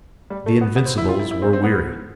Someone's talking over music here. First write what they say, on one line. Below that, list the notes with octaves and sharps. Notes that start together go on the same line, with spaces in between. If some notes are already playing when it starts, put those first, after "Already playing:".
The Invincibles were weary.
G3
A3
B3
B3
C4
E4
F4
E4
E4
C4
C4
B3